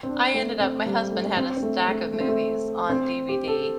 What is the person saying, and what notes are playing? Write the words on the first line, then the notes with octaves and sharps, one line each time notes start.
I ended up my husband had a stack of movies on DVD,
C4
D4
A3
C4
G3
A3
A3
C4
C4
A3
A3
A3
C4
A3
C4
G4
A4